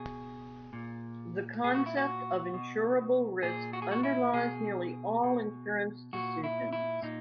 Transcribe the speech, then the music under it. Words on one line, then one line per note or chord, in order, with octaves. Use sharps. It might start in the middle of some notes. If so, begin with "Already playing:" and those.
The concept of insurable risk underlies nearly all insurance decisions.
Already playing: B2 G#4
A#2
A#2 G#4
F#4
E4
F#4
B2
A#2 G#4
F#4
G#4
F#4
E4
B2 G#4
B2
A#2 F#4
E4
E4
A#2 D#4